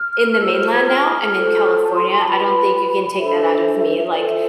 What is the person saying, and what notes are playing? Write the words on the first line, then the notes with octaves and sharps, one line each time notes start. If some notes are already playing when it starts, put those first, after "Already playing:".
in the mainland now, I'm in California, I don't think you can take that out of me, like,
Already playing: F6
F4 G#4 C5 E6
F6
G#6
F6
F4 A4 C5
A5
C6
C6
A5
F4 B4 B5
D4 A4 C5 E5
F4 A4 C5 D5
E5